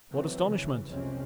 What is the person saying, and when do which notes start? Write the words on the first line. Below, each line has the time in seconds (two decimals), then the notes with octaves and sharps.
What astonishment!
0.12 C3 E3 F#3 A3 C4
0.46 C#3 E3
0.88 C2 F2 C3 G#3 C4 C#4